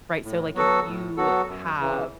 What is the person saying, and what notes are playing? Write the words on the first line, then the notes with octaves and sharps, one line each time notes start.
Right, so, like, if you have
A2
F#3 B3 F#4 A4
A2
F#3 B3 F#4 A4
F#2
C#3 E3